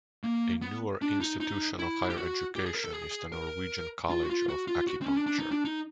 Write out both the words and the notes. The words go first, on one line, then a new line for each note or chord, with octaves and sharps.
A newer institution of higher education is the Norwegian College of Acupuncture.
A#3
B3
D4
D#4
D#4
E4
G4
F#4
G4
G#4
A#4
A4
G#4
A#4
F4
F#4
F4
F#4
F4
F#4
C4
C#4
D4
D4
D#4
D4
D#4